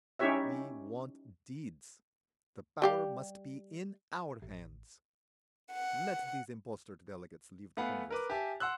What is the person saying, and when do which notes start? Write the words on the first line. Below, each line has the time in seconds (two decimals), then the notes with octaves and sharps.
We want deeds--the Power must be in our hands!' Let these impostor delegates leave the Congress!
0.19 C#4 D#4 E4 G4 C#5 E5
2.82 G3 G4 F5
4.42 A1
5.72 F#5
7.77 A3 B3 F5 F#5 G#5 B5
8.10 A#4 B4 D6
8.30 G4 E5 G#5 A5
8.60 F#5 C6 E6 F#6